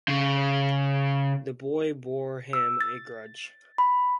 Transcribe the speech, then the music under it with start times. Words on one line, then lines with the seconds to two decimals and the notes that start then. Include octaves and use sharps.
The boy bore him a grudge.
0.08 C#3
2.53 E6
2.81 A6
3.78 B5